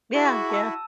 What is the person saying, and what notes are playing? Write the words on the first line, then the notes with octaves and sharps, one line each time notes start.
Yeah, yeah.
E4 F#4 G#4 C#6
A5 E6